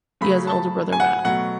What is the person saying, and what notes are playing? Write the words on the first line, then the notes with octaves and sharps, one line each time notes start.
He has an older brother, Matt.
C#3 F#3 A3 B5
A5
G#5
F#5
B2 F#3 A3 F#5